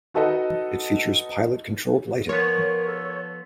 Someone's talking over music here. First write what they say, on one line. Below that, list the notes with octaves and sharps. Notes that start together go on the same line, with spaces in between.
It features pilot-controlled lighting.
D#4 F#4 A4 B4 D#5 F#5
F3 B3 A#4 C#5
A4